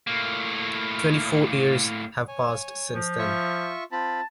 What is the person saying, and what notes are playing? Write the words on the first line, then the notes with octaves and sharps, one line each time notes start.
Twenty-four years have passed since then.
A2 A#3
C#5 G#5
F3
F4 E5 C#6
C4 F4 A5 B5